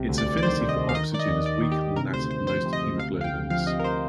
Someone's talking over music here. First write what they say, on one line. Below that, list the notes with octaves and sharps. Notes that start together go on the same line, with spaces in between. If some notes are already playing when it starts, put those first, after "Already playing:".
Its affinity for oxygen is weaker than that of most hemoglobins.
Already playing: C2 C3
D2
D5
D2
D5
D#3 C5
C3
D#5
D2
F5
D#3 D#5
D#3 D5
D#5
D#2
D#2 D5
D#3
G4
D#3
C3 A#4
D2 C5
D2 C5
F3 C5
C3
D#5
D2
C3 F5
D2 F5
G5
D2
F3 F5
C3 D#5
A#4
C5